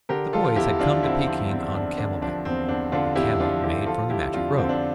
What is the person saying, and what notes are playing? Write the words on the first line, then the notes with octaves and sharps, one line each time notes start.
The boys had come to Peking on camel-back, a camel made from the magic rope.
D3 G4 A#4
F3 F4 A4
F4
E2 E4 G4
F3 D4 F4
D3 C4 E4
F3 C4
E2 C4
E2 D4
D3 D4
F3 D4
E2 C4
E2 D4
D3 D4 F4
E2 E4 G4
F3 D4 F4
D3 E4 G4
F3 F4 A4
D3 E4 G4
F2 D4 F4
D3 C4
D4